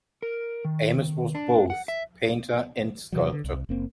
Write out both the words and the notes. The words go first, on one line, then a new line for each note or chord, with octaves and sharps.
Ames was both painter and sculptor.
A#4
D#3
D4
F#5
E5
C3 E3 F#3
D3
C2
F#1 A#3 C4